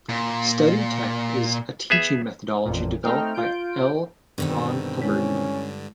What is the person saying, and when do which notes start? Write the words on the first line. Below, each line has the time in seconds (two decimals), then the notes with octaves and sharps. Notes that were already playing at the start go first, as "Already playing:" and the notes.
Study Tech is a teaching methodology developed by L Ron Hubbard.
0.09 A#2
1.90 B3 G#4 E5
2.65 A1 F2 A#2
3.03 A3 C4 D#4 G5 F6
3.34 F4 G6 D7
4.38 G2 B2 D3 D#3 C4
5.02 G#3 C#4 E4